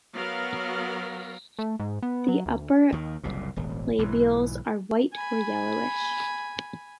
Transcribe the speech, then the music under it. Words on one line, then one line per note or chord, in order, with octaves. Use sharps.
The upper labials are white or yellowish.
F#3 B3 A#4 F5
A3
G#2
B3
F#3
D2
D#2 D#3
F#1 C2 A#2
D#1 G#1
B1 G#2 E3
G#5 B5